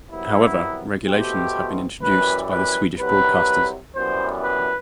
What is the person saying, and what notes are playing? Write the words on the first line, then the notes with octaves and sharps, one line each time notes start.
However, regulations have been introduced by the Swedish broadcasters.
C2 C3 F#3 B3 E4
E2 B2 A3 C4 G4
F#2 E3 G3 B4
B4
C2 C3 F#3 B4
F#2 E3 G3 B3 C5
B4